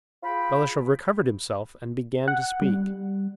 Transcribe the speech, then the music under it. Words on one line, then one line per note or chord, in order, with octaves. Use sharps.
Balashev recovered himself and began to speak.
F4 G#4 G5 B5
F#5
G3